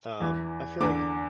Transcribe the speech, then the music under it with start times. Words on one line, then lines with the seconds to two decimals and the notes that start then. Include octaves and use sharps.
Um, I feel like
0.20 E2 E3
0.80 E2 D3 D6